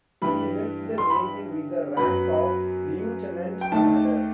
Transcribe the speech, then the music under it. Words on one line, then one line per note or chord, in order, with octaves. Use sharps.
He left the navy with the rank of lieutenant commander.
G2 E3 G3 B5
C6
B5
F#2 F#3 B3 B5
G5
D#2 D#3 A3 A5